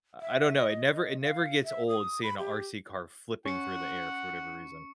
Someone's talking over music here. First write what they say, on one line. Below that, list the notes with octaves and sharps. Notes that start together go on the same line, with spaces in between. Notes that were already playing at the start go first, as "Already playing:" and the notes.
I don't know, it never it never gets old seeing a RC car flipping through the air, for whatever reason.
E5
D#5
D#5
F5
E5
D#6
B5
G4
C#4 F#5 C#6 C#7